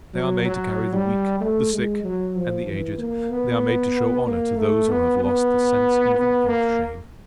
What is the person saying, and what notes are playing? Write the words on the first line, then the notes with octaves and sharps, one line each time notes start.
They are made to carry the weak, the sick, and the aged; they are made to show honor to those who have lost the sense even of shame.
F#3
F#3
G3
A3
G#3
F#3
F3
E3
A#3
B3
A#3
A3
B3
B3
B3
A#3